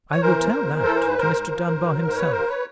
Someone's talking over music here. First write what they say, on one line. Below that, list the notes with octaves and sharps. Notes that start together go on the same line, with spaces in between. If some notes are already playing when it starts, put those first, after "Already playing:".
"I will tell that to Mr. Dunbar himself."
C#5
E3 A#4 C5
E2
E2
E3
E3 A4
A#4
G#2 B4
G#2 A#4 C5
G#2
F3
G#2
F#3
G#2
C5
D#2 B4 C#5
D#2 A#4 C5
B4 C#5